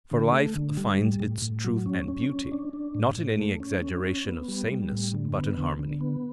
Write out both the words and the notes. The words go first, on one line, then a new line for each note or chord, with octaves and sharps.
For life finds its truth and beauty, not in any exaggeration of sameness, but in harmony.
D3
A3
D3
G3
A2
A2
A2
F#3
C#4
C#4
C#4
D4
D4
A2
A2
A3
C#4
C#4
C#4
B3
G3
G3
A2
D3
B3
D3
D3
B3